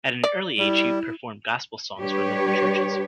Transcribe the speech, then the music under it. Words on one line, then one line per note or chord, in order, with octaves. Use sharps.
At an early age, she performed gospel songs for local churches.
D5
G3 E4
G3 D4 G4 B4 C#5